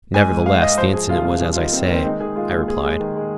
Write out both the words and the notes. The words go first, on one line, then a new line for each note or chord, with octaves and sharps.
"Nevertheless the incident was as I say," I replied.
G#2 G#5
G#3
G#2 F5
G#2 D#5
F3 C5
F3 G#4
C2 F4
C3 F4
C2 G#4
F4
D#3 D#4
D#3 C4
A#3
D#3
C4
G#3 D#4
D#3 G#4
G#3 F4
D#2
D#2 G#4
G#3
D#3
G#3